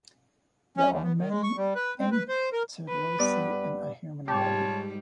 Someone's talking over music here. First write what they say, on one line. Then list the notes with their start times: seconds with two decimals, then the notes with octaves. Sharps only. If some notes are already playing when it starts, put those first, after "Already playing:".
There are many interossei in a human body.
0.77 C#4
0.90 D#2
1.03 B3
1.18 D#3
1.29 G#3
1.43 C#6
1.57 G3
1.75 B4
1.99 C4
2.11 B4
2.28 C5
2.53 A#4
2.88 B4
3.19 G2 B3 D5
4.28 G#2 G3 F4 G4 C#5 A5